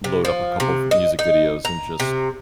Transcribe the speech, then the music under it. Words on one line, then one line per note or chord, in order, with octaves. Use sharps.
load up a couple of music videos and just
C3
F3
C3
D#5
D#4
A#5
C3